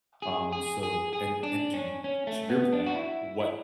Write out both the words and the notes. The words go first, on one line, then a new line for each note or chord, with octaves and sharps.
um, so, and and do to your point, what
G#4
G#4
G#4
G#4
D4
C#4
C#4
A3
B3
D4
F#4
E4
E4